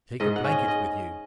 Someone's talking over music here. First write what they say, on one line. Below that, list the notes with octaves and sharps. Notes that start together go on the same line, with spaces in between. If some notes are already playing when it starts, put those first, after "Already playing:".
"Take a blanket with you."
G#2 D#5
F#5
C#4
D#5
D#5